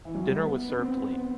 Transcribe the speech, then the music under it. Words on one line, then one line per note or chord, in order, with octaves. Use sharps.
Dinner was served late.
E3
F#3
G3
A3
B3
B3
C4
B3